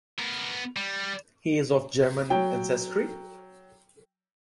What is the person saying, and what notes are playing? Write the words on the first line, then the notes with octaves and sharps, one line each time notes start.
He is of German ancestry.
B3 A#4
G3
F#3 G5